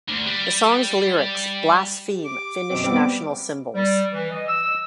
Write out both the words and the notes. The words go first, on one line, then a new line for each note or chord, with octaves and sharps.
The song's lyrics blaspheme Finnish national symbols.
D2 D3
G3 G4
G4
D6
F#2 B2 C4
G3 B3 C4
G3
E3
D#5
E6